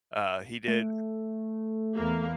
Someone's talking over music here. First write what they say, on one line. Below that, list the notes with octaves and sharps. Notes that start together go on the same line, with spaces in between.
Uh, he did.
A3
E2 A#3